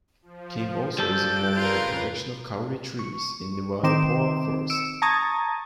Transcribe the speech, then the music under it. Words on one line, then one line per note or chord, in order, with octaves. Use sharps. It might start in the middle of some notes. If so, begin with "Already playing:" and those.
King also is involved in the protection of kauri trees in the Waipoua Forest.
F3
G3 A4 F#6 G6 A6 D7
F2 C#3 F4 A#4 B4
C#6
D#3 C4 D#4 C6 D6 E7
E6 C#7 D7 E7
A5 A#5 C#6 D#6 G#6 A6